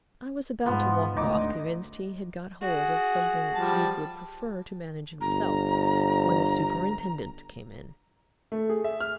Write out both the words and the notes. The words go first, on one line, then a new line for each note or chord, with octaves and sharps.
I was about to walk off, convinced he had got hold of something he would prefer to manage himself, when the Superintendent came in.
G#2 F3 B3
D2 D#4 D6
F#4 G#4
F3 G3 A5
G1 A#5
A3
G#4
E5
F6